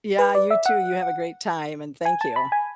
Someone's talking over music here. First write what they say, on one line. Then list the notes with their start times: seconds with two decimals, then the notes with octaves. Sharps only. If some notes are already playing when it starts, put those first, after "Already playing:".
Yeah, you too, you have a great time, and thank you.
0.19 B4
0.35 D5
0.51 E5
0.66 F#5
2.05 G#5
2.21 A5
2.36 B5
2.52 G#5